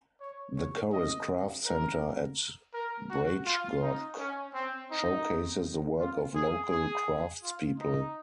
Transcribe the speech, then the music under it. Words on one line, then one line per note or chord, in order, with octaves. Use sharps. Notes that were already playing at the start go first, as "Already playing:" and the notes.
The Corris Craft Centre at Braichgoch showcases the work of local craftspeople.
C#5
C#5
D#5
A#4
A#4
F#4
F4
D#4
C#4
C4
D#4
F4
G#4
G#4
F4
D#4